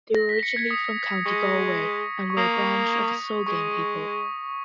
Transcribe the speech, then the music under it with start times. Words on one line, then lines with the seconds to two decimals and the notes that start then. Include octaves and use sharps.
They were originally from County Galway and were a branch of the Soghain people.
0.15 A#6
0.29 B6
0.43 C#7
0.56 G#6
0.71 D#6
1.26 G#3 C#6
2.30 C#6
2.37 A#3 D#6
3.47 G#3 C#6